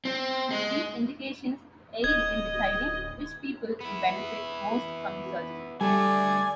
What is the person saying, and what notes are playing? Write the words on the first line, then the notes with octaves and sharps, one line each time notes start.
These indications aid in deciding which people would benefit most from surgery.
C4
G#3
D1 D#5 G#6
B3 E4
D3 G3 A3 A4 D5 G#5